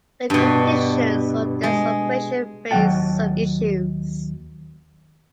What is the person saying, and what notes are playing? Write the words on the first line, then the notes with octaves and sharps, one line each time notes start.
The conditions of this operation raise some issues.
G2 B2
G#3
D#2 F#3 G#3 F#5 G5 A5